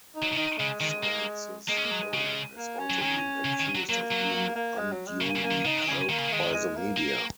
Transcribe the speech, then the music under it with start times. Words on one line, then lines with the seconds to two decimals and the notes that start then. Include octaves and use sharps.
Sciences Po has also been accused of being unduly helped by the media.
0.15 D#4
0.22 F#3
0.32 C#3
0.36 D#3 D#4
0.59 C#3 G#3
0.80 D#3 G#3
1.03 A#3
1.68 G#3 A#3
1.76 C#4
1.83 A#3
1.91 F#3
2.13 C#3
2.57 A#3
2.79 C#4
2.90 F#3
3.01 D#3 C#4
3.45 C#3
3.60 D#3
3.75 F#3
3.89 F#3 A#3
4.11 F#3
4.33 A#3
4.55 A#3
4.78 G#3
4.92 F#3
5.07 G#3
5.21 C#3 A#3
5.36 C#3
5.44 A#3
5.51 D#3
5.65 C#3 D#4
5.78 D#3
5.88 C#3 C#4
6.09 D#3 A#3
6.18 C#3
6.28 D#3 G#3
6.54 G#3
6.76 A#3
6.97 A#3